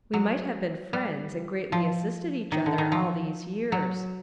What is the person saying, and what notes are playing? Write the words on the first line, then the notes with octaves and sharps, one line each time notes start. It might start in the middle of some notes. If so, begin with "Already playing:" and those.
We might have been friends and greatly assisted each other all these years.
F#3
G3
F3
D#3
D3
D#3
F3
F#3